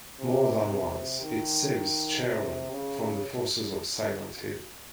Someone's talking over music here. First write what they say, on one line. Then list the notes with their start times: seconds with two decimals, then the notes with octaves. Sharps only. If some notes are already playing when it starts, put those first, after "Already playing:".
More than once, it saves Sharon from the forces of Silent Hill.
0.20 C3
0.70 C3
1.22 D#3
2.22 C3
2.72 C#3